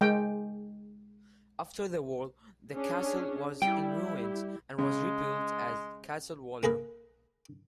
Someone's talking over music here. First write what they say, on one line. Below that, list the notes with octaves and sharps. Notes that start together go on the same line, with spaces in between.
After the war the castle was in ruins and was rebuilt as Castle Waller.
G#3 G5
C#4 D4 G#4
G3 E4 G4 G5
C#3 G#3
A#3 G#4 A#4 B4